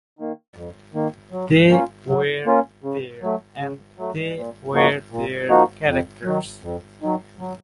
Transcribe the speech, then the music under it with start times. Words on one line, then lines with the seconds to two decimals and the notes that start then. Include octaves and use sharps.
They were there, and they were their characters.
0.19 D#3 A#3
0.56 F2
0.94 D#3 A#3
1.32 F#3
1.70 A#3 C#4 F4
2.08 F#3
2.46 A#3 C#4 F4
2.84 C#3
3.22 F#3 A3
3.59 C#3
3.98 F#3 A3
4.36 A#2
4.74 F3 A#3 D#4 F#4
5.12 A#2
5.49 F3 A#3 D#4 F#4
5.87 F2
6.25 D#3 F#3
6.63 F2
7.02 D#3 F#3
7.40 F#3